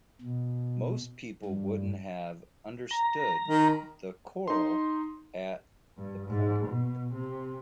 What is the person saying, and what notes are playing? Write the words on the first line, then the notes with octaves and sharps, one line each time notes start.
Most people wouldn't have understood the Coral at that point.
B2
G2
A#5
D#3
D#4 C6
G2
G#2
B2
C3